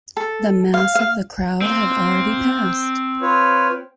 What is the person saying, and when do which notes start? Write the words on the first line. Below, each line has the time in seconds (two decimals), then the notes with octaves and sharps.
The mass of the crowd had already passed.
0.17 A4
0.74 F5
0.95 F5
1.62 A#3 C4
3.21 F4 B4 C#5